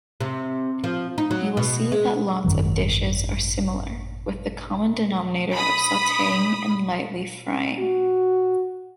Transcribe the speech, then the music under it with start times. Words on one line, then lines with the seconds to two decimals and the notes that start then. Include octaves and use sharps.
You will see that lots of dishes are similar, with the common denominator of sautéing and lightly frying.
0.21 C3
0.84 F3
1.18 D#4
1.31 F#3
1.57 B2
1.92 G#3
2.45 G#1 F#2 D#3 F#3
5.55 B5 D#6
7.79 F#4